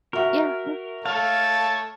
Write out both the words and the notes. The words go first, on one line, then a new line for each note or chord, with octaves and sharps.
Yeah, yeah.
F#4 A#4 E5 F#5
A3 C#5 F5 A5 F6